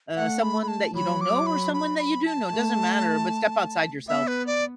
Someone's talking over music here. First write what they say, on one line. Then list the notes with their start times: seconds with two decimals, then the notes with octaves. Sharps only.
uh, someone that you don't know or someone that you do know. It doesn't matter, but step outside yourself.
0.16 A3 F#5
0.42 B5
0.62 B5
0.68 A5
0.94 F#3 B5
1.21 D6
1.47 B5
1.74 B5
1.99 B5
2.26 A5
2.52 A3
4.08 B3 E5
4.27 B4
4.47 D5